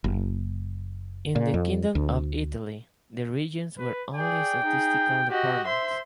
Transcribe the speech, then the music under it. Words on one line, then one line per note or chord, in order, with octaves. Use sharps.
In the Kingdom of Italy the regions were only statistical department.
F#1
A#2
F2
D2
B4
G#4 D5 G5
D#4 G#4
F#4 G4 D#5
C5 E5 C6